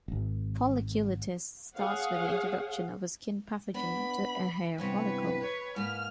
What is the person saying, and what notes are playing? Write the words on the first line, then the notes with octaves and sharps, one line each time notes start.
Folliculitis starts with the introduction of a skin pathogen to a hair follicle.
D#1 G#1
G#4 C#5 F5 F#5
B3 D4 B5
E2 G2 C3 B4 C#5
C#5
G#2 A#3 F6